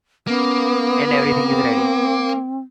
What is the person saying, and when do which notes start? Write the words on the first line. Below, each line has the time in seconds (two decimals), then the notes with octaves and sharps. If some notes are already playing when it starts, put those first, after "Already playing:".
And everything is ready.
0.27 A#3 B3 C#4
1.38 C4